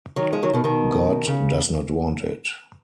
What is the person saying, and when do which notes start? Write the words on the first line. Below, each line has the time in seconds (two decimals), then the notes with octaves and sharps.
God does not want it!
0.16 D#3 F#3
0.32 F3 G#3
0.43 D#3 F#3
0.53 B2 D#3
0.64 B2 D#3
1.27 C#3